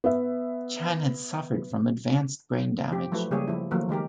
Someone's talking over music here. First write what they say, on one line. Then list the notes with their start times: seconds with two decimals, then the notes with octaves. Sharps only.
Chan had suffered from advanced brain damage.
0.04 B3 E5
2.91 F3 F4 G4
3.12 F3 F#3 A3 E4 B4
3.31 C#3 G3 A#3 G4 G#4 C#5
3.48 F3 E4
3.71 D#3 F3 F#3 A3 A#3 A#4
3.89 D#3 G#3 G4 A#4